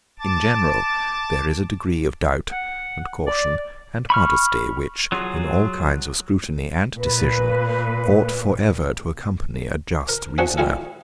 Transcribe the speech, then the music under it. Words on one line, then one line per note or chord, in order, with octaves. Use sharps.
In general, there is a degree of doubt, and caution, and modesty, which, in all kinds of scrutiny and decision, ought for ever to accompany a just reasoner.
A5 D6 A6
F#5
D5
B5 C#6 F6
F#3 F4 G#4
A#2 B4
A#4
F3 D4 F#4 G#4 C#5 E5
G3 G#3 E4 F4 G#4 A4